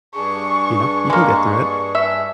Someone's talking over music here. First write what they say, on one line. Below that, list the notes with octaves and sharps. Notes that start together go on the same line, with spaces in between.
you know, "You can get through it,"
G2 D4 G#4 C#6
G#3 A#3 C#6
E5